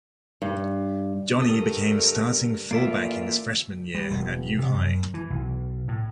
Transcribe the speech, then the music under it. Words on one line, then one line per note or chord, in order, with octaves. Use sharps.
Johnny became starting fullback in his freshman year at U-High.
G2
G2 A3 A4 A#4 D#6
A1 A#3 F4 D5 E5
G3
E1
C3
F#2
E3
B1
A2